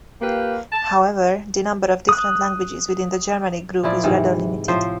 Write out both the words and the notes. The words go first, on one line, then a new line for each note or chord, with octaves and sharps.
However, the number of different languages within the Germanic group is rather limited.
A#3 F4 G4 B4 F5 G5
A5
D#6 F#6
A#2 F3 E4 D5
G#2 C3 E3
A2 F3 C5 E5